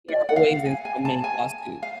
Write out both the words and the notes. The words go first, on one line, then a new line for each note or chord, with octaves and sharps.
they are always in so many lawsuits.
D5
F#5
F5
G#5
G#5
A5
G#5
F5